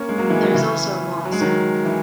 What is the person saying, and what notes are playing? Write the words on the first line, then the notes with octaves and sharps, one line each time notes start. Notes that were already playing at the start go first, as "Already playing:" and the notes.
There is also a mosque.
Already playing: A#3 C#4
G#3
F#3 A#3
E3 G#3
D#3 F#3
C#3 E3
F#3
G#3
D#3 F#3
E3